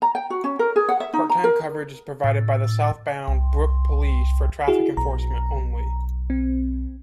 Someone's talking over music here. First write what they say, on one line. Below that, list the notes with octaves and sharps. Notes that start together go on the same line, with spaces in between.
Part-time coverage is provided by the South Bound Brook Police for traffic enforcement only.
A#5
G5
F#4
C#4
A#4
G#4
F#5
E5
D#4
A#5
A#4
A2
C2
E4 F#4 G#4
B1 A#5
C4